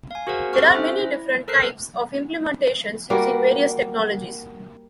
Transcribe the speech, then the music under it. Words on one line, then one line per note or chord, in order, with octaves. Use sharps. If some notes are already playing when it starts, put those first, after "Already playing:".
There are many different types of implementations using various technologies.
F5 G#5
F#4 G#4 A#4 C5 F#5
C4 G4 A4 C5 C#6 F6
C#4 C5 E5
E4
A4 A#4 C5 F#6 C7
G3 A#3 F#4